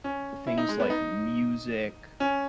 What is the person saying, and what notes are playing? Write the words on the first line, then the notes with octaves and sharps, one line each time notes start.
things like music
C#4
E4
D#4
G#3
B3
D#4
C#4